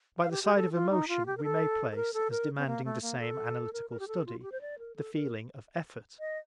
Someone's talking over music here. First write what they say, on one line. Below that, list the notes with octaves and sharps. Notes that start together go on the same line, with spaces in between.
By the side of emotion we may place, as demanding the same analytical study, the feeling of effort.
F5
G4
G4
A4
F4
D#4
F4
G4
A#4
A4
A4
A#4
A4
A#4
C4
A#3
A3
A#3
A4
A#4
A#4
G4
A4
F4
F4
G4
C5
D5
A#4
A4
A#4
D#5